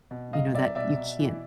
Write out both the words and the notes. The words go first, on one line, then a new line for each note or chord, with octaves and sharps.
you know, that you can't
B2
C2 D#5 F5
C2 D5 E5
B2 D5 E5
B2
E3